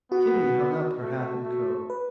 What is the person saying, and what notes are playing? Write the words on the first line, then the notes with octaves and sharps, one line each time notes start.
Kitty hung up her hat and coat.
B3 F#4
A3
A3
B4